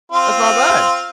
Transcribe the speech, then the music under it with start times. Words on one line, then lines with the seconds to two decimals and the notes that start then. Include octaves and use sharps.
That's not bad."
0.12 C4 F4